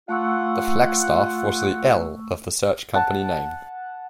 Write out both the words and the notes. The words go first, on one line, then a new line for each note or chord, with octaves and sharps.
The flagstaff was the "L" of the search-company name.
A3 F4 F#5 C#6 E6
F#5 A5